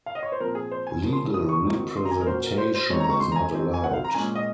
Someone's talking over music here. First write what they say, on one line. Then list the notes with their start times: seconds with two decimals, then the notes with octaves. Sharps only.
Legal representation is not allowed.
0.06 F5
0.15 D#5
0.23 C#5
0.32 C5
0.40 A#2 F3 C4 A#4
0.55 G#4
0.71 C5
0.87 G#5
1.03 C#3 F3 A#3
1.13 C6
1.34 D#6
1.49 C#6
1.65 D#3 F#3 C4 D#4
1.97 C6
2.05 A#5
2.11 G#5
2.21 A#4
2.27 A#2 F#3 C#4 C5
2.43 A#4
2.58 C5
2.74 C5
2.89 F3 G#3 C4 D#4 C#5
3.00 A#5
3.10 C#6
3.20 C6
3.32 A#5
3.36 G#5
3.52 F3 C4 D#4
3.74 G#5
3.84 F#5
3.93 F5
4.04 A#5
4.14 A#2 G#3 C#4 G#5
4.35 D#5